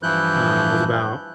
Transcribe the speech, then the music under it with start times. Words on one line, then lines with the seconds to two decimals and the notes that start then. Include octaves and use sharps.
um, was about,
0.03 G2 E3 F3 E4 F#6 G6